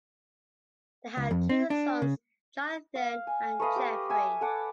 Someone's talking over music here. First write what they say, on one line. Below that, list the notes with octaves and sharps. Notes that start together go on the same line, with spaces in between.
They had two sons Jonathan and Jeffrey.
C#2
F2
C4
D4
C#3
F5
G#5
A3 B4 D#5 F5
G4
E5 G#5 C#6
A4 F#5 D6